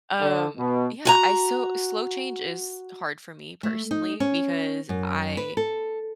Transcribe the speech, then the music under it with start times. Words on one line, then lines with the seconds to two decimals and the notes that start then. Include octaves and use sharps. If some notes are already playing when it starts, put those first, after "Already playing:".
Um, yeah, I, so slow change is hard for me, personally because I
0.20 D3
0.57 B2
1.05 F#4 G#5 A#5
3.63 A3
3.91 D#4
4.20 C#4
4.89 F#2
5.37 B4
5.57 A4